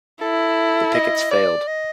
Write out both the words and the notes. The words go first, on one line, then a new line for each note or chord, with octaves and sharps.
The pickets failed.
E4 A4
D#5
D5
D#5